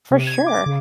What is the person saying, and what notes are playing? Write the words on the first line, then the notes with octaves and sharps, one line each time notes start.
For sure.
C3
G#6
D6
C#3